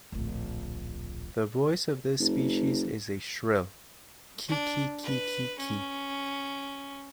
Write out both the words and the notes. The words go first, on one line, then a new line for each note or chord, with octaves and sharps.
The voice of this species is a shrill "ki-ki-ki-ki".
D1 A#1
F#1
D4
B4
C#4